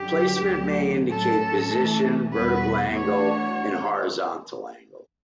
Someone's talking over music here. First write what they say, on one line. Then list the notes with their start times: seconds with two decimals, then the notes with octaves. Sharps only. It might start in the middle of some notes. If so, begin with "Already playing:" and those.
Placement may indicate position, vertical angle, and horizontal angle.
Already playing: F#2 D3 F#3 G4
0.50 D2 D3 F#3
1.10 A2 F#3 C#4 A4
1.72 E3 A3 C#4
2.33 E2 B2 G3 B3 F#4 B4
2.94 E3 A3 D4 F#4 C#5